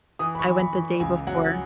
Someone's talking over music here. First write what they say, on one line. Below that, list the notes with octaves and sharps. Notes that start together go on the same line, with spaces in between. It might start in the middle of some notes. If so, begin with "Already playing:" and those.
I went the day before.
E3 D#6
B5
C#6
E3
B5
E3
C#2 G#5
F#3 F#5